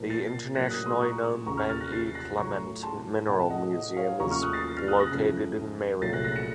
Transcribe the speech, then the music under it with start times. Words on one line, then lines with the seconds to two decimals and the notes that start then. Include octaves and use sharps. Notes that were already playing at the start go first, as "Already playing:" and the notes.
The internationally known Ben E. Clement Mineral Museum is located in Marion.
Already playing: A#2 F3 A#3
0.10 A6 C7
0.55 A2 F#3 A#3 F#6 A#6
0.70 D#6 F#6
0.85 C6 D#6
1.01 A#5 C#6
1.46 D#2 C#3 A3 A#5 C#6
1.57 C#6 F6
1.69 F6 A6
1.80 F#6 A#6
1.92 A6 C7
2.15 F#6 A#6
2.37 A2 F#3 A3 A#5 C#6
2.83 A5 C6
3.28 A2 A3 F#5
3.40 A5
3.49 D#5 F#5
3.74 D#5
3.97 C#5 F5
4.20 D#2 C#3 F3 A3 A#5 C#6
4.31 C#6 F6
4.42 D#6 F#6
4.53 A6 C7
4.77 F6 A6
4.88 D#6 F#6
4.99 F#6 A#6
5.11 F2 C#3 F3 A3
6.01 C2 A#2 F#3 A3 A6 C7
6.13 F#6 A#6
6.24 F#6 A#6
6.35 A#6 C#7